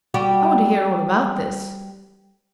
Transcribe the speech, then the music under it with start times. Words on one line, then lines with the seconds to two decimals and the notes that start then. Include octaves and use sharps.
I want to hear all about this.
0.14 G3 F#4 G4